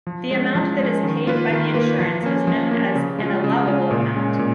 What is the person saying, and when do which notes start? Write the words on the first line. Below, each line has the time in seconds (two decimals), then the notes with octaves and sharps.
The amount that is paid by the insurance is known as an allowable amount.
0.07 F3
0.31 G#3 C#4
0.55 F3
0.78 G#3 C#4
1.03 D#3
1.26 A#3 F4 B4
1.50 D#3
1.74 A#3 F4 B4
1.99 F3
2.23 A#3 C#4
2.47 F3
2.71 A#3 C#4
2.95 C#3
3.19 G#3 C#4 F4
3.44 C#3
3.67 G#3 C#4 F4
3.91 A#2
4.16 G#3 C#4
4.39 A#2